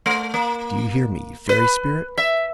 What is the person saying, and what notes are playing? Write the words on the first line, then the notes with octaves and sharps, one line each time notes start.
Do you hear me, you fairy spirit?
A3
A#3
B4
E5